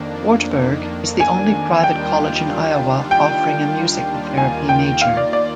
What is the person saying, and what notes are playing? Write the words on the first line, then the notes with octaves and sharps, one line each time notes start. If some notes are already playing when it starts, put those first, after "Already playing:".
Wartburg is the only private college in Iowa offering a music therapy major.
Already playing: F2 D#3 A#3 D4
G#5
D#2 D#3 G3 D4 F4 G5
G5
D#2 D#3 A#3 F4 G#5
G5
F5
D5
D5